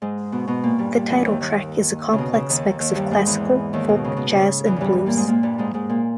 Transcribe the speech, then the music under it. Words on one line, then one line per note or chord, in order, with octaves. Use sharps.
The title track is a complex mix of classical, folk, jazz and blues.
G#2 G#3
B2 B3
B2 B3
A#2 A#3
G2 G3
G2 G3
E2 E3
D#2 D#3
D#2 D#3
C#3
B2
C#3
D#2 D#3
D#2 D#3
G2 G3
G#2 G#3
E2 E3
D#2 D#3
B2
C#3
B2
C#3
E2 E3
G2 E3 G3
A#2 A#3
G#2 G#3
A#2 A#3
G2 G3
G#2 G#3
G#2 G#3
A#2 A#3